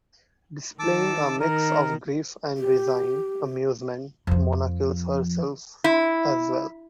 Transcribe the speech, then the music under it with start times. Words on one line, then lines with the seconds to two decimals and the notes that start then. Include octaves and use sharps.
Displaying a mix of grief and resigned amusement, Mona kills herself as well.
0.79 D#3 A5 D6 E6
1.40 D#3 A#4
2.57 G4
4.27 F2 F3
5.84 E4